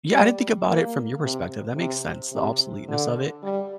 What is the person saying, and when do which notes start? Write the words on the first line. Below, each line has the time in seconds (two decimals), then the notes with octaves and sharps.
yeah, I didn't think about it from your perspective, that makes sense, the obsoleteness of it,
0.12 G3
0.67 A#3
1.22 C3
1.77 C3
2.33 C3
2.88 D3
3.43 G3